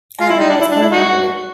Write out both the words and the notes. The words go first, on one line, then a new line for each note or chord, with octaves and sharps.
I know it's some in there.
F4
E4
D#4
D4
E4
D4
E4
D#4 F#4